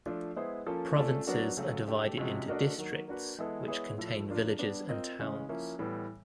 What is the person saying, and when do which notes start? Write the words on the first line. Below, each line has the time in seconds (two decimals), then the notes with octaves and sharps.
Provinces are divided into districts, which contain villages and towns.
0.06 F3 A3 D4 F4
0.36 G#3 B3 E4 G#4 C5
0.66 F3 A#3 C#4 F4 A4
0.96 A3 C#4 F4 A4 D5
1.27 F#3 B3 D4 F#4 A#4
1.57 C#3 F#3 A3
1.87 A3 D4 G4
2.18 C3 F3 G#3 C#4 F#4
2.48 A3 D4 F#4 A#4 D#5
2.78 D#3 F#3 A#3
3.08 A#3 D4 F#4 B4
3.38 E3 G#3 B3 E4 A4
3.68 G#3 B3 E4 G#4 C#5
3.98 A2 F3 A3
4.28 F3 A#3 D4 F4
4.59 G3 B3 D4
4.89 C4 F4 A#4 D#5
5.19 C#3 E3 G#3 C#4
5.49 F3 A#3 C#4 E4
5.79 A2 E3 G3 B3